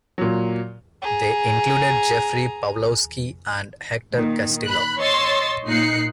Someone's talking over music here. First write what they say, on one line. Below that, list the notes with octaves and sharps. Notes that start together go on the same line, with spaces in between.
They included Jeffrey Pawlowski and Hector Castillo.
A#2 F#3
G#4 A#5
A#2 D#3
B5 F#6
C#5 D#5 C6 C#6 E6 A6
A#2 D#4 F#6 C7 C#7